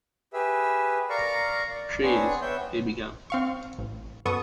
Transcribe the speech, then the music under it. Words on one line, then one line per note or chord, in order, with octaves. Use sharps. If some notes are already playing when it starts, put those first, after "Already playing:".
"She is -" he began.
G4 G#4 B4 E5
A#4 D5 F5 A#5 C#6
D5
B3 C4 D4 G#4 C#5
B3 C#5 E5 G5 G6
C4 F5 C#6
A1
F#2 B3 A4 C#6 D#6